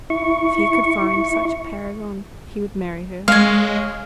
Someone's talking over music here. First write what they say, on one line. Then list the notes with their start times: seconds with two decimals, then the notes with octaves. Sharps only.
If he could find such a paragon he would marry her.
0.10 E4 C#6
3.28 G#3 C#5 F5